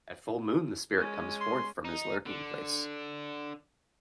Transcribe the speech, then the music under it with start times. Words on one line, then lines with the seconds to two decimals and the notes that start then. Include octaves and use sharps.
At full moon the spirit comes forth from his lurking-place.
0.98 G#3 C#4
1.40 C6
1.85 D#4
2.26 D3